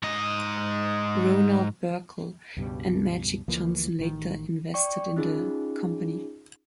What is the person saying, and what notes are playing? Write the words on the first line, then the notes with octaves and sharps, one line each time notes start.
Ronald Burkle and Magic Johnson later invested in the company.
G#2 D#5
C#2 G2 B2 G3
D2 E3 F3 A#3
A1 D#3
D5 G5 C#6
C#4 D#4 F4 G#4